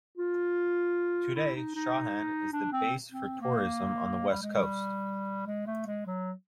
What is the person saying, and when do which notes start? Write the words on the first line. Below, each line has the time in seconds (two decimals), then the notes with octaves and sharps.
Today Strahan is the base for tourism on the west coast.
0.18 F4
1.36 E4
1.55 D#4
1.75 D#4
2.53 D4
2.72 C4
3.12 C4
3.41 A#3
4.30 G3
4.42 G#3
4.56 G3
5.47 G#3
5.67 A3
5.87 G#3
6.07 F#3